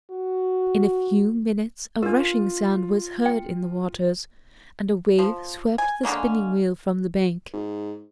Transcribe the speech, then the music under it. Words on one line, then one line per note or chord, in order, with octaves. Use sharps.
In a few minutes a rushing sound was heard in the waters, and a wave swept the spinning-wheel from the bank.
F#4
D4 F4 A#4
G5
F3
G#5
D3 G#3 A#3 C#4
G#2